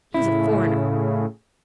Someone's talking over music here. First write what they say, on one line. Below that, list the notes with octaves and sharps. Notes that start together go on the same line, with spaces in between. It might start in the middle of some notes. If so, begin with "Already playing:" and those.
He's a foreigner.
A2 C#3 E4